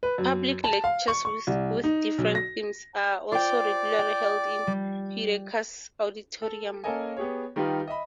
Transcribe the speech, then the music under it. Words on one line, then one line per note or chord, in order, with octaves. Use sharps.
Public lectures with different themes are also regularly held in Heureka's auditorium.
B4
F#2
A5
F5
C#6
C#6
C2
D#4
B1
A#6
F4 C5 D5 G5
G5
G3
A4
A#3 C#4 A4 A#4 D#5 G#5
B3 G4 G#4 C#5
D#3 G3 D#4 F4 G4 B4
D#5 E5 B5